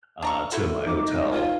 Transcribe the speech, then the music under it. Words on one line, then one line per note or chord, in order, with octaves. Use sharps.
uh, to my hotel,
D4 A#5 C#6
E4 F#4 A4
D#4 D6
D#5
F4 F5 G#5